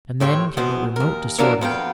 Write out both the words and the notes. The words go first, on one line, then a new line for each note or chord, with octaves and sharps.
And then came a remote disorder.
D#2 A2 C4 C#5
B2 E3 B3 C5
D#2 A#4
E3 F#3 A#3 B3 D4 A#4
F2 B3 F5 G5